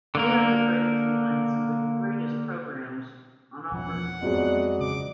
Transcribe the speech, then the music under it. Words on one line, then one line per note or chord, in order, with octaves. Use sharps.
They are the brains behind some of the greatest programs on offer!
D3 A#3 A#4
E1 F3 C#4 F#5
F2 F#3 G#3 B3 D5 D#5
C#3 D6